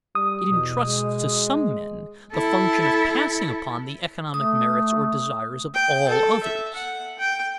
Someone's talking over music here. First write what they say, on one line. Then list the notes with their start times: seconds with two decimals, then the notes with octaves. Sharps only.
It intrusts to some men the function of passing upon the economic merits or desires of all others.
0.15 G3 D#6
0.50 E2 B2
0.86 G#3
2.34 E4 A4
4.34 A3 D#6
5.74 G5
6.08 A4
6.43 E5
6.75 F#5
7.19 G5